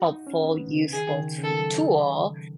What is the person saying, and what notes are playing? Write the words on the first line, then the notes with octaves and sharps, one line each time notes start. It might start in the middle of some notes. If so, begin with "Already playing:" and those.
helpful, useful too tool,
Already playing: F#4
D#4
C#4
B3
C#3
D#3 G#4
D#3
C#3
C#3
D#3 A4
F#3
E3